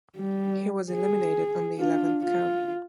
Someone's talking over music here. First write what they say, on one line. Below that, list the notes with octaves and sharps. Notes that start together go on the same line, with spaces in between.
He was eliminated on the eleventh count.
G3
G#4
D4 F4
F4